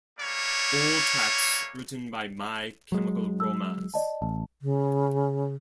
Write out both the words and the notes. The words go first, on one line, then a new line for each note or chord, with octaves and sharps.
All tracks written by My Chemical Romance.
G3 A3 A#3 C#5
F#3 G#3
E6
D5 D#5 A5
A1 A5
C#3